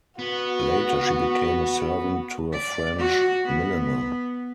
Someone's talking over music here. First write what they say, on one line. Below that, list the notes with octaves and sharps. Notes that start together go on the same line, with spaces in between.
Later she became a servant to a French milliner.
B3 F#4
D5
F#4
B3